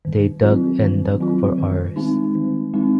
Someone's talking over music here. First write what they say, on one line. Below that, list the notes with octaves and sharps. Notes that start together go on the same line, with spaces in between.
They dug and dug for hours.
D#3
F#3 C4 F4
D#3
F#3 C4 F4
D#3
G#3 C4 D#4
D#3
G#3 C4 D#4